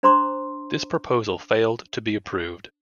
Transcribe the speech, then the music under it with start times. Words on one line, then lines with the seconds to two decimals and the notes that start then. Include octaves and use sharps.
This proposal failed to be approved.
0.03 D4 C5 A#5 C6 D6